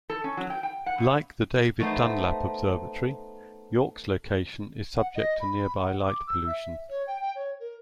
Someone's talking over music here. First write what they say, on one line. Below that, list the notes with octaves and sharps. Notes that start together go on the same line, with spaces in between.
Like the David Dunlap Observatory, York's location is subject to nearby light pollution.
A4
C#4
F#3
G5
G5
F#5
G2
A3 B3 D#4 C5
F#5
D#5
B5
F#5
D6
E6
E5
C#5
G5
G5
C#5
A#4